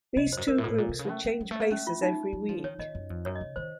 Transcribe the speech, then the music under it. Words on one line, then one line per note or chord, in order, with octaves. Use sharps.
These two groups would change places every week.
C3 D#5
F2
F#2 C5
F#2 A#4
A2
A2 A#2 A4
A#2
C3
C#3
A3 C#4
A3
F#3
A3
A#3
A3 C#4
F4
D#4
F#3
F3
D#3 C#5
D#3 D#5
F#2
F2
F#2 C#5
D#5
C#3
D#3 C5